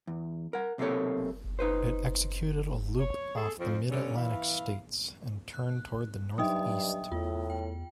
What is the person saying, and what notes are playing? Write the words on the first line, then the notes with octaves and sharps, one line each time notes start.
It executed a loop off the Mid-Atlantic states and turned toward the northeast.
E2
A#4 F#5
B1 C3 A#3 C#4 A4 C#5
D#4 B4 C5
C#5
G#4 A4
F2 F3 C4
G2 D3 C#4
E3 E4 F5
F#6
G2 F#3 D#4 D#5 E5 G5 D#6
E2 A2 F4
G5